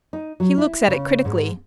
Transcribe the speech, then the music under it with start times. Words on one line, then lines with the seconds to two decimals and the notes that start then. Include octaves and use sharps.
He looks at it critically.
0.13 D#4
0.40 F#3
0.58 E4
0.88 C#3
1.25 G#2